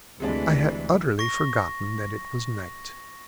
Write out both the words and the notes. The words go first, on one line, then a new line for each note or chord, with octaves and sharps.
I had utterly forgotten that it was night.
D2 C3 E3 G#3 D4
C#6 A#6